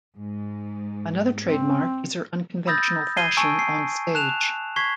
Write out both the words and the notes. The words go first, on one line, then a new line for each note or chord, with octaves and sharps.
Another trademark is her unconventional fashion on stage.
G#2
C4
B5 D#6 E6 G6 A6 A#6
G#6 C7 D#7 G7
G#5 A5 C#6 E6 D7
C7
A5 F#6 E7 F7
C#6 G#6 B6 C7 G7